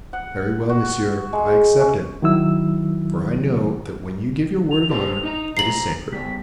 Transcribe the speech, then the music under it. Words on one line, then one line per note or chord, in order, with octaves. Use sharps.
"Very well, monsieur, I accept it; for I know that when you give your word of honor, it is sacred."
F#5
F#4
G#3
C#4
D#3 F#3 E4 E6
F7
G4 A4 C5
D#4 D#5 A#5
C3 F3 A#5 C7 F#7
C#3 G3 B6